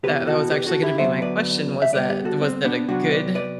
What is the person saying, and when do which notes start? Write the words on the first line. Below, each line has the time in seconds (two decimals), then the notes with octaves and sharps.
That that was actually gonna be my question. Was that was that a good
0.03 C3 E3 B3 G4 B4
0.27 F#4 A4
0.51 G4 B4
0.67 F#4 A4
0.83 E4 G4
0.98 D3 F#3 B3 C5 E5
1.22 B4 D5
1.82 E5
1.93 D3 G3 B3 B4 D5
2.09 G4 B4
2.25 F#4 A4
2.41 C4
2.65 B3 D4
2.88 C3 F#3 B3 D4 F#4
3.12 B4 D5
3.35 B4 D5